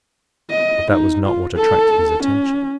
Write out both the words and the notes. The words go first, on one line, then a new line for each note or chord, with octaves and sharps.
But that was not what attracted his attention.
D#5
D#4
F4
A4
C#4